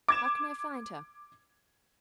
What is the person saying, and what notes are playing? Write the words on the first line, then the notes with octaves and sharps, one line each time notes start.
"How can I find her?"
D6 G#6 E7